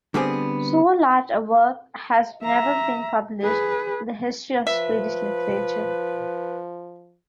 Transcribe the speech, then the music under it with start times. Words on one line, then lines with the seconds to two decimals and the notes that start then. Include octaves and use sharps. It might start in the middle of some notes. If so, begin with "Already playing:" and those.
So large a work has never been published in the history of Swedish literature.
0.14 D3 G3 B3 C4 G#4
2.44 E5 A#5
3.42 G#4 B4
4.67 F3 B4 E5